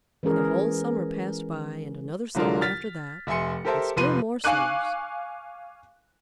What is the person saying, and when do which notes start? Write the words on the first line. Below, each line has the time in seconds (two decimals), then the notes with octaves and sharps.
And the whole summer passed by, and another summer after that, and still more summers.
0.23 E3 G#3 C#4 G#4 A#4
2.35 C2 D3 F#3 D4 F4 A#4
2.61 F6 A6 B6
3.27 F1 E5 G#5 C6 C#7
3.65 G4 A4 A#4 C5 E5 A5
3.96 F1 C3 F3 B4 C6 D#7
4.44 F5 G#5 C#6 D6 F#6 D#7